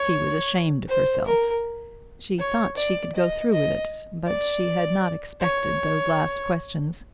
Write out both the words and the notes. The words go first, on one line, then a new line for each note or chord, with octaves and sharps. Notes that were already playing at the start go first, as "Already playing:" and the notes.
She was ashamed of herself; she thought she could go through with it, but she had not expected those last questions.
Already playing: C#5
C5
A#4
C#5
D5
D#5
D#5
D5
C#5